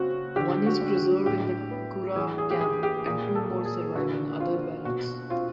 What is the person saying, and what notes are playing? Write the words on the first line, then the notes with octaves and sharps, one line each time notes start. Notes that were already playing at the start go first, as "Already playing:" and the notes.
One is preserved in the Curragh Camp and two more survive in other barracks.
Already playing: C#3 C4 F#4
D3 G4
F#4
D3
F#4
A2 G4
B3
E3 G#4
G#4
G4
E3 G#4
G4
A#2 G#4
A4
A#2
G#4
D3 F#4
C4 F4
B2 F#4
C4 F4